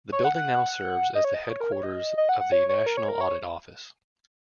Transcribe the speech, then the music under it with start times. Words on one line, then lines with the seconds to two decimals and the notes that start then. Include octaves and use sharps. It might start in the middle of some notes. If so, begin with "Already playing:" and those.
The building now serves as the headquarters of the National Audit Office.
0.12 C#5
0.24 F#5
0.36 F#5
1.15 D#5
1.24 C#5
1.34 D#5
1.50 C#5
1.60 A#4
1.72 C#5
1.83 D#5
2.17 D#5
2.29 F#5
2.40 F#5
2.52 C#5
2.69 C#5
2.86 A#4
2.97 C#5
3.08 A#4
3.21 C#5